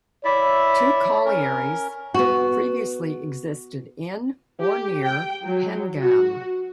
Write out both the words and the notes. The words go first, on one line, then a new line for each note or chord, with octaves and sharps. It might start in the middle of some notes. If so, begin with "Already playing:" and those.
Two collieries previously existed in, or near, Pengam.
E4 C#5 D5 E5
C#4 A#4
B3 F#4
G4
G5
F#3
F#4